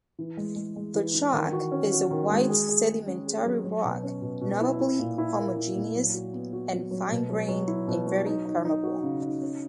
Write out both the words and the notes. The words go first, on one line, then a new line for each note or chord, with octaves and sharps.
The chalk is a white sedimentary rock, notably homogeneous and fine-grained, and very permeable.
E3
G#3
G#3
G#3
E3
E3
D#3
F#4
C#4
F#4
D#3
G#3
G#4
G#4
G#4
C#4
G#4
F#3
F#3
B2
C#4
B2
B2
E4
E4
A#2
E4
A#3
E4
A#2
F#3
F#4
B3
F#4
F#3
F#3
B2
F#3
F#3
E4
B2
F#3
D#4
D#4
D#4
F#4
C#3
D#4
C#4